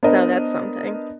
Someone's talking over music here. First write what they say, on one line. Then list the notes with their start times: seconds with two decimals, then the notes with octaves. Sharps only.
So, that's something.
0.03 B3 D4 A#4 C5 D#5